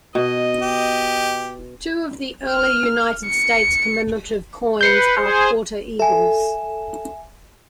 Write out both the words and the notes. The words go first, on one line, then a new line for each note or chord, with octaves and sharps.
Two of the Early United States commemorative coins are Quarter eagles.
B2 D#5
G4
F6
C#7
B4 G6 C7 C#7
G#4 C5
A4 E5 G#5